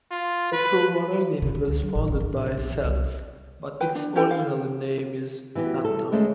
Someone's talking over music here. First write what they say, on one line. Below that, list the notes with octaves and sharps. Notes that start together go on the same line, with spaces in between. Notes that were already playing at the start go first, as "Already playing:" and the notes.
Petrovaradin was founded by Celts, but its original name is not known.
F4
B4
C3
D3
C#2
F#3
A1
E1
D4
A2
C#3
B1
D#3
C2
B4 G5
D4
C#4 G4 A4 G5
F5
E3 B3 F#4 G4
G3 A4
D2 G#3 A3 C#4 A4